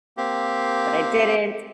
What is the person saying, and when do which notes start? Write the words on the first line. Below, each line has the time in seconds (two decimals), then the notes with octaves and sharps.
but I didn't,
0.17 A#3 C4 G4